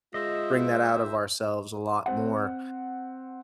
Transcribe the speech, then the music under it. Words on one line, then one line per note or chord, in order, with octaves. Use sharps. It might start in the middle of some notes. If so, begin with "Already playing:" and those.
bring that out of ourselves a lot more,
G#3 F4 C5 D#5 E5
C4 F#5